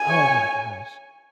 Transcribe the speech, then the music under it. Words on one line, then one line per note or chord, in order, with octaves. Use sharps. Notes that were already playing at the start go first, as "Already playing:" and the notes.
Oh my gosh.
Already playing: G#5
C#5